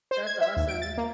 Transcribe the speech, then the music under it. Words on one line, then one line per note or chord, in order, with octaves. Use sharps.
that's awesome.
C5
G#6
E5
D#2
D7
A6
A#3